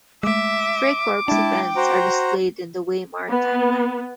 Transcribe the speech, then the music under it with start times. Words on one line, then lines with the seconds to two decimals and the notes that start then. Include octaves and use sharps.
Freikorps events are displayed in the Weimar Timeline.
0.23 G#3 A3 E5 D6
1.28 G#3 D4 E4 G5 A5
1.76 F#4 C5 A#5
3.29 B3